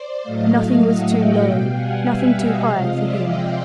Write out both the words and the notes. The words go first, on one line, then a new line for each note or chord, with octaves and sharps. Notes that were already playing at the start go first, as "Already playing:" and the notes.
Nothing was too low, nothing too high for him.
Already playing: C5 D5
A2 F#3 A3 D#5 F5
D#5 F5
E5 F#5
F5 G5
B2 G3
F#5 G#5
E5 F#5
D#5 F5
C3 F3 G#3
D5 E5
F5 G5